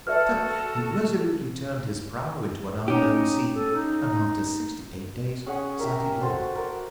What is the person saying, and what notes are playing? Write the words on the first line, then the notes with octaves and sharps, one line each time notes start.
So he resolutely turned his prow into an unknown sea, and after sixty-eight days sighted land.
F#4 A4 B4 D5 E5 F6
C#4 D#4 G4
A4
D#4
C#4 G#4 F#5
G4 A#4 E5
F#4 A4 C5 A5
A#4 D6